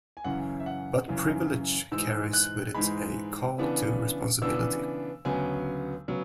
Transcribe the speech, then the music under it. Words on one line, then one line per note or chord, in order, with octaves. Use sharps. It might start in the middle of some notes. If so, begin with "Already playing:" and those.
But privilege carries with it a call to responsibility.
G#5
F#2 C#3 E3 F#5
E5
F#5
F#2 C#3 E3
G#2 E3 G#3 E6
F#6
G#2 E3 G#3 B5
C#3 E3 B3 D4
C#3 E3 B3 D4 E6
D2 C#3 F#3 B3 G#5
C#3 F#3 B3